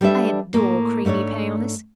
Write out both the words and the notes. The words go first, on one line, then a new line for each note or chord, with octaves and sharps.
I adore creamy paleness.
G3 D4 A4 B4 E5
A2 A#3
G#2 A3 C#4 D4 C#5